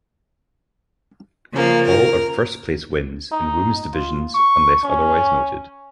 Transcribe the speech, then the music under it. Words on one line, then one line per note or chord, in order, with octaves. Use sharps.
All are first-place wins, in women's divisions, unless otherwise noted.
C#3 F3 A#3
A#4
D#4
F4
C#6
C#4